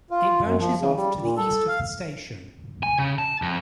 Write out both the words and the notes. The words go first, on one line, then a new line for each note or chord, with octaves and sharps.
It branches off to the east of the station.
F4
F#2
F3
C#3
G3
A#2
A4
F5
G#5
C#3
A5
F2